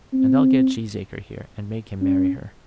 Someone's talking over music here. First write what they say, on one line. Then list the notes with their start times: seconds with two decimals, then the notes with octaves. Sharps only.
And I'll get Cheesacre here, and make him marry her.
0.13 C4
2.01 C#4